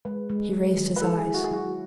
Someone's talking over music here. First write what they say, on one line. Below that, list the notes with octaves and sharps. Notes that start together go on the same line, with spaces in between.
He raised his eyes.
G#3 B4
G#3
G#3
D#3
B4
E4 A4
G#4
E4
F#4
G#4
F#3 F#4